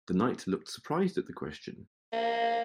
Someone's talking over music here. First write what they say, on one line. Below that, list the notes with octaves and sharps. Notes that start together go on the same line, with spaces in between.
The Knight looked surprised at the question.
A#3